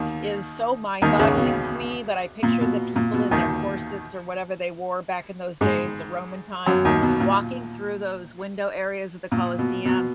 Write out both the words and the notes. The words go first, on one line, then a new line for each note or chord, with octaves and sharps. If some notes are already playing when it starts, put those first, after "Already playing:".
is so mind-boggling to me, but I picture the people in their corsets or whatever they wore back in those days, the Roman times, walking through those window areas of the Colosseum,
Already playing: D#2 D#3
D#2 D#3
C#2 C#3
B2
A#2
B2
A#2
B2
D#2 D#3
G#2 G#3
F#2 F#3
D#2 D#3
B2
A#2
A#2
B2
B2